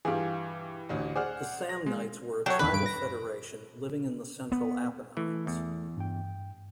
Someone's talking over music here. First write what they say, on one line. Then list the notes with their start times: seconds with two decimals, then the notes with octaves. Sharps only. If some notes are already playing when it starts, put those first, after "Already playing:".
The Samnites were a tribal federation living in the central Apennines.
0.05 G2 E3 F4 G4 G#4
0.89 A1 D2
1.16 G#4 C5 D5 F#5 F6
1.69 A#6
1.86 G#3
2.46 F#3 C#5 F#5 G5
2.59 E2 D#3 B4 B5
2.73 G2 D7
2.86 A#6
4.52 B3
5.17 E3 A3
5.47 E2
5.97 G2 G5